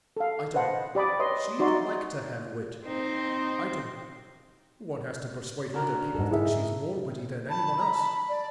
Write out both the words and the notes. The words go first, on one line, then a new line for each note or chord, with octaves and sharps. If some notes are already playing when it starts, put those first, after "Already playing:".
Item--she'd like to have wit. Item--one has to persuade her that people think she's more witty than anyone else.
A4 F5
B4 C5 D#5 F#5 A5
G4 D5 B5 D6 D#6
B4 C#5 D#5 C6 D#6
D#4 F#4 D5 E5 C6
C4 D#4 C5
D4 F#4 A#4
G#2 A4
E4 G#4 E5
A5 B5
A#5
A5
D5